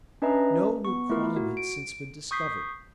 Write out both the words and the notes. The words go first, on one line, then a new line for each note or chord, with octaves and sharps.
No new crime had since been discovered.
C#4 D4 B4 D#5 E5 A#5
B3 C#6
A3 E4 F4 A#4
F#4
D7
C#6 D#6 G6 B6 C7